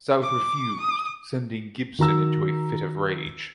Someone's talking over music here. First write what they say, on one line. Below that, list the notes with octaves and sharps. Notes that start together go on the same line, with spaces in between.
South refused, sending Gibson into a fit of rage.
D6
D#6
D#3 F#4 A#5 E6